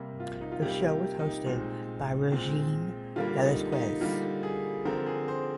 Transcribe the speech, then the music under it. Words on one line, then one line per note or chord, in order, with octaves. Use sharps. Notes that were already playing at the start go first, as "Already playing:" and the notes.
The show was hosted by Regine Velasquez.
Already playing: C3 G3 A#3
F4
D#4
F4
C3 G3 A#3 G4
G4
D#4
A#2 G#3 C4
A#2 G#3 C4
D3 G3 A#3 F4
D#4
D#4
D3 G3 A#3 F4
G#4
D3 F3 C4 A#4
G#4
C5